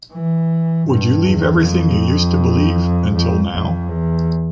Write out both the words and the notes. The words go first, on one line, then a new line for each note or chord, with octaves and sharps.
Would you leave everything you used to believe until now?
E3
G2
E2
F2
F2
F2
E2